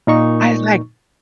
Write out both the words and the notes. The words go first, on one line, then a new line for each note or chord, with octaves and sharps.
I was like
A#2 D#4 C#6